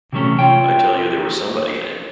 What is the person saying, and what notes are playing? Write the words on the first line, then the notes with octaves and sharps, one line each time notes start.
I tell you there was somebody in it.
C3 E3 F#3 A3 C#4
F4 C#5 G5